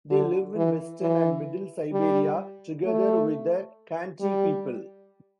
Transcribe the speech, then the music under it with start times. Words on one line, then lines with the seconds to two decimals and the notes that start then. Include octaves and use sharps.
They live in western and middle Siberia, together with the Khanty people.
0.10 D3
0.56 E3
1.02 E3
1.92 G3
2.84 A3
4.21 G3